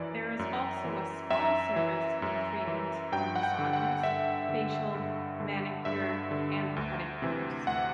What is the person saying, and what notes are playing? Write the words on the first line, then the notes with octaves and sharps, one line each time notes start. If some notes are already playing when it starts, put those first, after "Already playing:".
There is also a spa service with treatments for massages, facial, manicure and pedicures.
Already playing: F#2 E3 D5
F#2
E3
F#2 E5
E3
F#2
E3
G2 G5
F#5
G5
D3
F#5
G2 E5
D3
G2
D3
G2 E5
D3
D2
C3 E3
D2 F#5